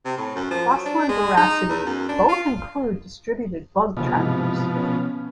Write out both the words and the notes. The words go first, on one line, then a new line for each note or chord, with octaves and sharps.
Fossil and Veracity both include distributed bug trackers.
C3
A2
F#2
F3
F#3
D4
G#3
D#4
E2
F#2
D4
F4
A#1 D#2 B2 F3
G#2 C3 E3
B3 C#4